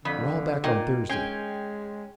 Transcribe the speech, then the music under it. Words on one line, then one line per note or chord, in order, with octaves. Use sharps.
We're all back on Thursday.
F2 D3 B5
A#2 D#3
G#3 C#4 G5 G#5 C6